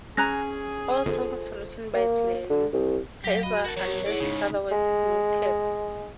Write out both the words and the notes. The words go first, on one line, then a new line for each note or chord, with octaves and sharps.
All songs written by Glenn Kaiser unless otherwise noted.
C#4 G#4 A#5 F#6 A#6
G1 F4 A4 C5
A#3
D3
C2
F#3 G4 F5
F#4 D#5 B5
F#4 A4 A#4
F#3 B3 C#5
E4 G#4 D5 F#5
G#2 C#3 D#4
G#3